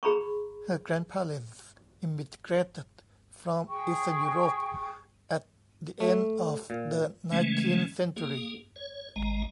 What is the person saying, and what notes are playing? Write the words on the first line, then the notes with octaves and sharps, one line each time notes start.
Her grandparents immigrated from Eastern Europe at the end of the nineteenth century.
G#4 A#5 B5 C#6
G#4 G5 C#6
A3
A#2
C#3 E3 G#3 A3 C#4
A#3 G#4
C#5
G#1 G#3 A#5